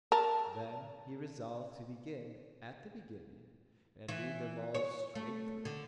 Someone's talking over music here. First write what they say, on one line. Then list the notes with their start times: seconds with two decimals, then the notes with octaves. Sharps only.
Then he resolved to begin at the beginning, and read them all straight through.
0.12 A#4 A5
4.08 E3
4.74 C#5
5.15 A3
5.65 D3